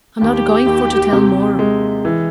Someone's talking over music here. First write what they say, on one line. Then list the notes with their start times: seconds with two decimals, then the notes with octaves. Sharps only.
I'm not going for to tell more.
0.21 D#2 G4
0.66 D#2
1.12 C3
1.59 G#3
2.05 E3